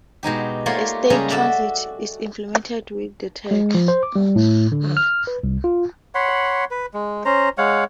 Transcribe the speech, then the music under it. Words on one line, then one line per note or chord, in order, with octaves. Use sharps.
A state transit is implemented with the Tag.
B2 G#3 D#4 G4
A3 A#3 F4 C#5 D5 C6
C#3 G3 G#3 A#3 C#4 G#4
F#4 A4 D5 E5
G#3
F3
C5
D6
G3
A2
D3
F6
B4
C2
F4
C#5 F#5 B5 C6
B4
G#3
C#4 C5 A#5
G#3 C#5 F5 F#5